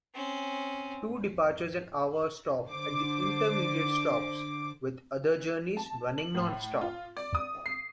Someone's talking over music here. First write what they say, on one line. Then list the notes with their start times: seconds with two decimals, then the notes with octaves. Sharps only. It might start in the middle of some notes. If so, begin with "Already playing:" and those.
Two departures an hour stop at the intermediate stops, with other journeys running non-stop.
0.15 C4 C#4
2.68 D3 C5 D6
5.77 A5
6.18 F#7
6.35 A2
6.81 F4
7.17 D5
7.35 D#6
7.66 C7